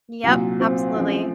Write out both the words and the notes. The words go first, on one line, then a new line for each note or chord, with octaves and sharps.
Yep, absolutely.
C2 A#2 F#3
C4
F#2 F3 A3 C4